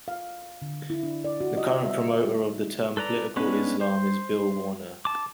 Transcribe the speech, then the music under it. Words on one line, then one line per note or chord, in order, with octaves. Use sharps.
The current promoter of the term Political Islam is Bill Warner.
F5
D3
E4
D4
D5
F#4
D#5
E5
A3
A4 B4 D5 A#5
G#3 B3 C#4 D4 B4
C5
A5 D6